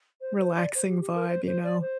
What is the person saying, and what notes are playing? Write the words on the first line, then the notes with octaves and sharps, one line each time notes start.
relaxing vibe, you know,
C5
C5
D5
C5
G4
G4
A#4
C5
C5
D5
C5